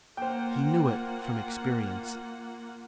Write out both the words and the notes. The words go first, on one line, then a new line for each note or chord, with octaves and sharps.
He knew it from experience.
A#3 F4 C5 F#5 G5